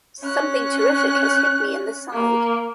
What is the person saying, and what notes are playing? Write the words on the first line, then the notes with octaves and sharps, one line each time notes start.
Something terrific has hit me in the side.
C#4 F#6
A#3